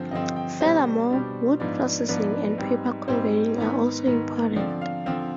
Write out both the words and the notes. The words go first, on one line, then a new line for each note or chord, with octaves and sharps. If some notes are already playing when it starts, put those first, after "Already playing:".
Furthermore, wood processing and paper converting are also important.
Already playing: G2 D3 F3 C4 C5
G2 D3 F3 C4 D#5
G5
B2 G3 D4 C5
B2 G3 D4
G#2 F3 B3 D4
G#2 F3 B3 D4 B4
G#2 G3 C4
G#2 G3 C4 C5
G#2 D#3 B3
G#2 D#3 B3
D3 F3 C4 D5
F5
D3 F3 C4 F5